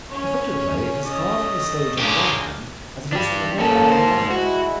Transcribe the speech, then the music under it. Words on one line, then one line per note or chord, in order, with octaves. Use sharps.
The photoplay is as far from the stage on the one hand as it is from the novel on the other.
C#4 C#5
A3 D#5
G#3 A#3 C#4 D4 F4 G4
D4 G4
A#3 C#4 A4 A5
D#4 C5
G#3 E4 F#4